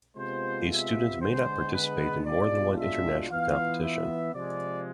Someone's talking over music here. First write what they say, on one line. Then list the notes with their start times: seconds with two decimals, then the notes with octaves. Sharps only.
A student may not participate in more than one international competition.
0.17 C3 G#3 B3 F4 C5
0.69 E5
1.21 D3 G#3 B3 C5
1.73 B4
2.26 B2 G#3 D4 F4 D5
2.78 E5
3.30 E3 B3 F4 F5
3.83 E5
4.34 C3 F3 G#3 D5